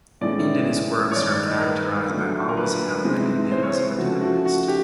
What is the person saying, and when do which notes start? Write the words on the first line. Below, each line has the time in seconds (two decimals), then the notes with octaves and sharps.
Indianist works are characterized by always having an Indian as the protagonist.
0.21 A2 E3 G#3 C#4 D5
1.11 C#5
1.15 G2 D#3 G#3 D5
1.31 D5
1.46 D#5
1.59 A#4
1.63 B4
2.09 D3 F#3 A3 D4
2.49 A#4
2.57 B4
3.03 C3 E3 G#3 C4
3.51 C5
3.63 C#5
3.74 C5
3.87 B4
3.98 C#3 F3 A3 F#4
4.21 F#4
4.45 F#4
4.68 G4